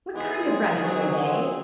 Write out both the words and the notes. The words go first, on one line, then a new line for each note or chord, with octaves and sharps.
What kind of writers are they?'
E3 G#3 B3 D#4 G#4
C#3 G3 G#3
C3 F#3
F3 F#3 C4